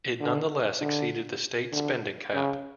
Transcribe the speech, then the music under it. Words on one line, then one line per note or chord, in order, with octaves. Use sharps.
It nonetheless exceeded the state spending cap.
D3
D3
D3
C#3